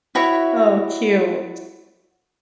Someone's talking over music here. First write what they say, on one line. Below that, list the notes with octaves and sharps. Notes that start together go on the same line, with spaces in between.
Oh, cute.
E4 F#4 C#5 E5